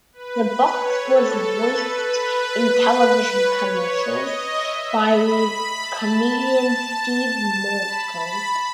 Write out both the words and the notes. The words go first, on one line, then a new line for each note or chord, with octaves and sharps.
The box was voiced in television commercials by comedian Steve Mackall.
B4
B4
C#5
A4
B4
B4
B4
C#5
C#5
D#5
E5
B5
A5
A5
A5
A5
B5